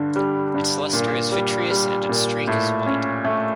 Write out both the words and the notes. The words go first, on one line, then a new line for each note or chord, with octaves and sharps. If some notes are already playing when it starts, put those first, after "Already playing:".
Its luster is vitreous and its streak is white.
Already playing: G2 D3
G3
G2
A#2
G3
G3
A#2
A2
C#4
A3